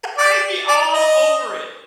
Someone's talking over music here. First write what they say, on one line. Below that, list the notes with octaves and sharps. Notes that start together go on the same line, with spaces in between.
I'd be all over it.
D5
D5
D#5